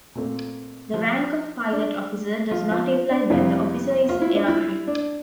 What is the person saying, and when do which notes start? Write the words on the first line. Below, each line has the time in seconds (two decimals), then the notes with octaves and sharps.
The rank of pilot officer does not imply that the officer is aircrew.
0.15 A#2 A3 C4
0.94 F3 F4
1.73 D4
2.51 F3 F4
2.71 F3 F4
3.11 D4
3.30 F2 C3 G3 E4
4.09 F4
4.22 E4
4.35 D4
4.48 E4
4.87 D4